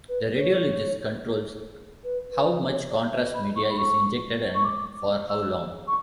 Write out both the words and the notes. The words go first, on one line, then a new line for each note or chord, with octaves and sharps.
The radiologist controls how much contrast media is injected and for how long.
B4
B4
C#5
B4
B4
C#5
D5
E5
B5
C#6
B5
C#6
C#6
D6
E6
C#6